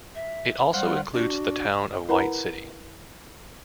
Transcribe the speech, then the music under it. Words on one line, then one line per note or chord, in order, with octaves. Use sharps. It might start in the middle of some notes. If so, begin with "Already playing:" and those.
It also includes the town of White City.
E5
G3 C5 F5 F#5
D4 F#4
E4 A#4 B4 F#5 A#5 B5